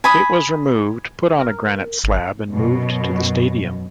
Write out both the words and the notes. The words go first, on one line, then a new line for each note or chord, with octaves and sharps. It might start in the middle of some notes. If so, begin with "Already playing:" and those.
It was removed, put on a granite slab and moved to the stadium.
G#5 B5 D#6
A#4
G#1
F#2 B2